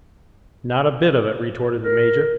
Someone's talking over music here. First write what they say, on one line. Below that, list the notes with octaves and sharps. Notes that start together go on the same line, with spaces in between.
"Not a bit of it," retorted the major.
A#4